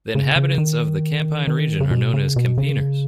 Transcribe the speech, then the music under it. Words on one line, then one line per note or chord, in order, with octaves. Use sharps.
The inhabitants of the Campine region are known as "Kempenaars".
C#3
C#3
D#3
D#3
C#3
B2
C#3
B2
C#3